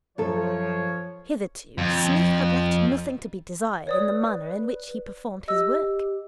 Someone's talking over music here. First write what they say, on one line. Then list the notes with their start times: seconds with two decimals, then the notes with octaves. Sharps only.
Hitherto Psmith had left nothing to be desired in the manner in which he performed his work.
0.18 F#2 F3 A4 C#5
1.78 F2
3.87 B4 C#5 D5 D#6
5.48 G4 D#5 E6